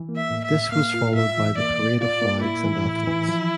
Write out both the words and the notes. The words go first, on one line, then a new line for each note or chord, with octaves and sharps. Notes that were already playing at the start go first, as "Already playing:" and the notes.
This was followed by the Parade of Flags and Athletes.
Already playing: E3
A#3
E5
A2
E5
A2
A#3 F5
F4
A2 E5
E3
A#3 D5
A2
F4 D5
A#3
A2 E4
E3
A2
E3
F3